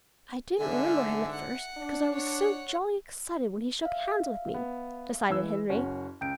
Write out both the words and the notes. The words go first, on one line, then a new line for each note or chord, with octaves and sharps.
"I didn't remember him at first, because I was so jolly excited when he shook hands with me," decided Henry.
C2 G#2 D3 E5 G#5
F#5
D4
C#5 F#5
E5 F5
B3
E3 E6
F#1 C#4 F#4
C#2 G5 G6 D7